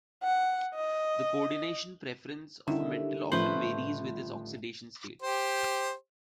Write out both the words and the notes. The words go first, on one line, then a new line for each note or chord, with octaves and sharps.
The coordination preference of a metal often varies with its oxidation state.
F#5
D#5
D3 D#3 G3 C#4 E4 E5
A1 F3 A3 B4 C5 F#7
G4 C5